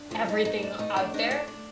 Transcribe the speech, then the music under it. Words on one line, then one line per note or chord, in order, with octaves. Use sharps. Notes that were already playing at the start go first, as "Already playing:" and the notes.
everything out there.
Already playing: D4
F3 A3 F4
D#4
G#2 D#4
D4
A3 D#4
D4
D4 D#4
D4
D4